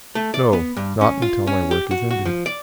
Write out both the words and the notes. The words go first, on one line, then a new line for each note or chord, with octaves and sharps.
"No; not until my work is ended."
A3
D5
B3
G2
C#4
F4
C#4
G4
F#4
F#4
F3
D5